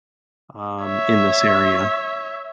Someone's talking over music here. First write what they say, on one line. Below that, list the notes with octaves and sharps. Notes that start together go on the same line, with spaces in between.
um, in this area,"
C#5 E5